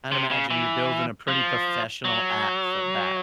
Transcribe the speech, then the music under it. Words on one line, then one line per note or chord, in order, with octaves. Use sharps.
I'd imagine you're building a pretty professional app for that.
C3
C#3
E3
F3
F#3